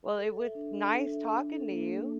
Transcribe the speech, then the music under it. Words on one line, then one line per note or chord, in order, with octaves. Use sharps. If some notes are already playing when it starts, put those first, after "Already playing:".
Well, it was nice talking to you.
A4
E5
D4
D4
A4
E5
D4
A4
A#3
A#3